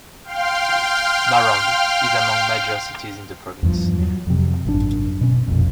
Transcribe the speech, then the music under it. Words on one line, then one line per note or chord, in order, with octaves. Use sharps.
Marand is among major cities in the province.
F5 G5 C6 F6
E2 G2 F3
F#3
F2 C3
G#1 F#2 D4
B2 C#4
A#1 F2